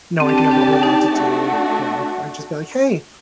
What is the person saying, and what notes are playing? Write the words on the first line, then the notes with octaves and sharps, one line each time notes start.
no idea what we want to do, you know, I'd just be like, "Hey,
C4 G4 D5 A5
D4
C4
D4
D#4
A3 D4 F#4